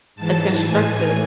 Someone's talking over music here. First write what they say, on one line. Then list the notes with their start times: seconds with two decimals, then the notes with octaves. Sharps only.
A constructive
0.16 G#2 E3 A5
0.62 A2 E3 G#5